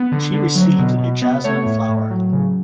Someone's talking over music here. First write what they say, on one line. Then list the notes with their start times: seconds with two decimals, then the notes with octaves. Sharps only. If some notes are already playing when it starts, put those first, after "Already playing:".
She received a jasmine flower.
Already playing: B3
0.12 D3
0.34 D3
0.55 F#3
0.78 B2
0.99 B2
1.22 B3
1.44 A3 C#5
1.66 A2
1.89 A2
2.10 F#3
2.32 C#3